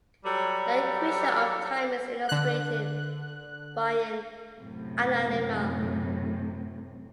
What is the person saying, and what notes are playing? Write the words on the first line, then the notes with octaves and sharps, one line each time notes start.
The equation of time is illustrated by an analemma.
F#3 G3 G4 A4
D3 F#6
F#2 A2 C3